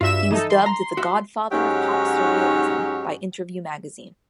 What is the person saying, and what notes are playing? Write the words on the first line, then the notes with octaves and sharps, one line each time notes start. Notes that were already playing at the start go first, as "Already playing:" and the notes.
He was dubbed "the god-father of pop surrealism" by "Interview Magazine".
G2 F4 F#4 E5 E7
E3 D#4 A4
C6
A#5
F#4 E5
G#2 F#3 C#4 D#4 G4